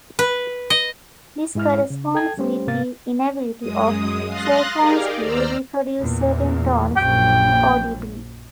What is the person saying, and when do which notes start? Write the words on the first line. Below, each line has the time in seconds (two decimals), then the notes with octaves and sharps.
This corresponds with the inability of cellphones to reproduce certain tones audibly.
0.19 B4
0.70 D#5
1.55 G#2 G#3 E4 G#4 F6
1.90 C#3
2.15 A4 G5 A5 G#6
2.37 G3 A3 C#4 G4 C5
2.67 G#2 C3 A#3 F5 A6
3.61 F#2 G#3 D#6
4.27 F5 C6 D#6 F#6 A6 A#6
4.76 D#4 G4 G#4 A#4 D5 F5
5.20 D#2 C5 D5 A#5 E6 F6
6.01 E2 A#2
6.97 A#1 F#2 G5